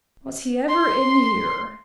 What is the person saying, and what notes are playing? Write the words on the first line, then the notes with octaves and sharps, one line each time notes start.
"Was he ever in here?"
C6